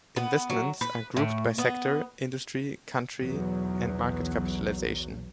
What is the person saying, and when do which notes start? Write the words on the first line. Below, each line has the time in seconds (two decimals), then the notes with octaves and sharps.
Investments are grouped by sector, industry, country, and market capitalization.
0.16 B3
0.50 F#3
0.81 B4
1.17 A2
1.58 B3
3.19 B1 E2 F#3